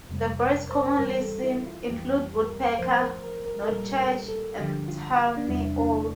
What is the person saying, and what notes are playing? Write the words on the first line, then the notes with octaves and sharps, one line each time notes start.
The birds commonly seen, include woodpecker, nuthatch, and tawny owl.
F2 C3 G3
A#4
C5
G2 E3 G3 A#4
A4
E4
F4
F2 E3 G3 G4
A#4
A#4
A2 F3 C5
C5
A#4
A#4
A#4
A4
A#2 G3 A#4
A#4
A4
G2 D3 F3 G4
F4
F4
D4
E2 C3 G3 E4
D4